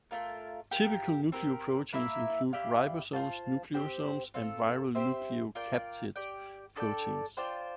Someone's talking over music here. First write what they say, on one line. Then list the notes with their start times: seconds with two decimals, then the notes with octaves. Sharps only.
Typical nucleoproteines include ribosomes, nucleosomes, and viral nucleocapsid proteins.
0.11 A3 C4 F4 A#4
0.71 G4 A#4 F5
1.32 C4 G4 A#4
1.93 A#3 E4 A#4 E5
2.53 E4 G4 D5 F5
3.13 F4 C5 F5 A5
3.74 C4 G4 C5
4.34 C4 F4 A4
4.95 C4 G4 C5 E5
5.55 F4 A#4 D5 G5
6.16 G4 D5 G5
6.76 D4 A4 D5 G5
7.37 D4 F4 C5 G5